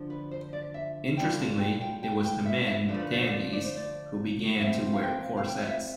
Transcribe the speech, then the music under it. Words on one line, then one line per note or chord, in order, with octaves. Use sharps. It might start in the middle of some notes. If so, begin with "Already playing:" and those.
Interestingly, it was the men, Dandies, who began to wear corsets.
Already playing: D3 F3 D4
B4
C5
D5
E5
B2 G3 D4 F4 G5
A5
G5
G5
G5
G5
E5
E5
D3 F3 A3 D4 B4
A4
B4
D5
C5
D5
D5
C5
D5
A2 F3 C4 E5
F5
G5
F5
G5
E5